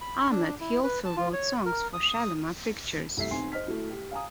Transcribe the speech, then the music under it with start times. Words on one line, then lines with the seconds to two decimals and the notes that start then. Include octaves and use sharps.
Ahmed, he also wrote songs for Shalimar Pictures.
0.01 B5
0.30 D4
0.60 E4
0.83 B4
1.05 A5
1.16 F4
1.33 C#5
1.66 A#4
1.93 D#6
3.17 C2 A3 E5 B6 C7
3.31 B1 C4 G#5 C6 C7
3.52 C5 D#5 F6 B6
3.66 A3 E4 F#4
3.90 G4
4.11 F5 G#5 A#5 D#6